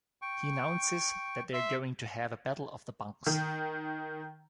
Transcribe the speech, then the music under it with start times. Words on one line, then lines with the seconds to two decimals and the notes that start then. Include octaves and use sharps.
He announces that they're going to have a battle of the bunks.
0.22 G5 C#6
1.54 E5 C6
3.26 D#3